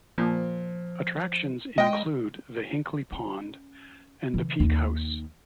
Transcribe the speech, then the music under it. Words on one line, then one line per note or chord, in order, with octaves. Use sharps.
Attractions include the Hinkley Pond and the Peak House.
A#2 F3
G#3 D#5 G5
C#4
C#3 E3
D#2 D#4